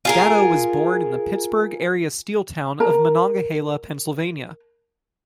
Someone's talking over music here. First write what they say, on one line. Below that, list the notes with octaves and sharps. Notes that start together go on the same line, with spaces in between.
Gatto was born in the Pittsburgh-area steel town of Monongahela, Pennsylvania.
F4 G#4 A#4
A#4 A#5